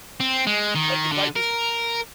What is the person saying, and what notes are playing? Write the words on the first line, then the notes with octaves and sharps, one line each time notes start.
Like, if I just
C4
G#3
D#3
D3
A#4